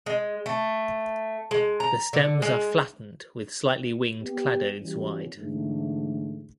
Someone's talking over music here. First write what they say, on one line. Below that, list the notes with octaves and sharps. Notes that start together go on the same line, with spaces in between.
The stems are flattened with slightly winged cladodes wide.
G#3
A3
G#3
A#5
D3
G#3
B3 G4
E3 F#3 G3 B3 C#4
G#2 D3 E3 A3